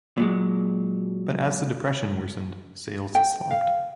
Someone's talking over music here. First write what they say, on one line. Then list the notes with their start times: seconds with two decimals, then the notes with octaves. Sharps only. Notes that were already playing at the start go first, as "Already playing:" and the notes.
But as the Depression worsened, sales slumped.
0.18 A#2 F#3 G#3
3.15 G5
3.51 F5